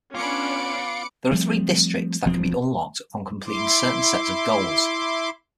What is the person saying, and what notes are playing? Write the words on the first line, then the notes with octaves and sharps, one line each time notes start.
There are three districts that can be unlocked upon completing certain sets of goals.
B3 C#4 D4 F4 B5 D6 C#7 D7
F3 G3 A3 C4
E1 D2 F3 C4
E4 C6 D6